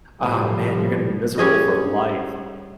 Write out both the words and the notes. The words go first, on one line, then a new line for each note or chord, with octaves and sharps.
ah man, you're gonna be miserable for life,
A2 C3 F3 G3
G3 C#4 G#4 D#5